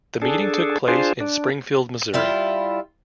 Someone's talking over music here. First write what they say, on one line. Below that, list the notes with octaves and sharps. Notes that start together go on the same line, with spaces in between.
The meeting took place in Springfield, Missouri.
D4 G#4 A4
D4 F4 G#4 C5
D4
G3 E4 F4